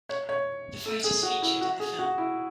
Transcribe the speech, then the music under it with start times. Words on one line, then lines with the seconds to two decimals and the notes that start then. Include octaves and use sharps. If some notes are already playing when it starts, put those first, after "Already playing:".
The fight is featured in the film.
0.09 C#5
0.29 C#5
0.85 A4
1.04 G#4
1.23 F#4
1.42 E4
1.61 F#4
1.80 G#4
1.99 F#4
2.18 E4